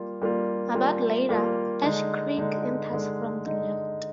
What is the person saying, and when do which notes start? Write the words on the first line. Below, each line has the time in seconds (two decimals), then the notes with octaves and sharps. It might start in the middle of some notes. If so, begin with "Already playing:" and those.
About later, Ash Creek enters from the left.
Already playing: G3 A#3 F4
0.22 G3 A#3 F4
0.75 G3 A#3 F4
1.29 G3 A#3 F4
1.83 D3 G#3 D#4
2.37 D3 G#3 D#4
2.91 D3 G#3 D#4
3.45 D3 G#3 D#4